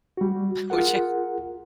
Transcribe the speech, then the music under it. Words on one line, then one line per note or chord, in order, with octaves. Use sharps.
Would you?
G3 F#4
F4 G#4 A#4 F#5